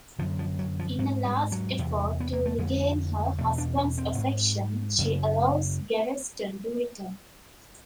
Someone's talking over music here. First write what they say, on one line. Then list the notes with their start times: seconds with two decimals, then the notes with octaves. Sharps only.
In a last effort to regain her husband's affection, she allows Gaveston to return.
0.19 F#2 D3 F3
0.39 F3
0.59 F#3
0.79 F3
0.99 G#2 F#3
1.25 G3
1.52 F#3
1.78 E2 C3
2.20 B3
2.33 A#3
2.46 A3
2.58 F2 D3 G#3
3.38 E2 B2 A3
3.58 D4
3.78 C#4
3.98 C4
4.18 G#2
4.98 F#2 C#3